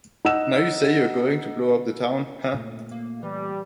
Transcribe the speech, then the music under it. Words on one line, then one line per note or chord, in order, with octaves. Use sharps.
Now you say you're going to blow up the town, huh?
D#4 F#5 E6 E7
A#2 A3
A#3
E3 G3